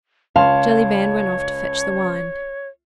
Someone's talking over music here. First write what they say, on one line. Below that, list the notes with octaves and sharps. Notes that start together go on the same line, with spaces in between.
Jellyband went off to fetch the wine.
C#2 C#5 F5 A5 C6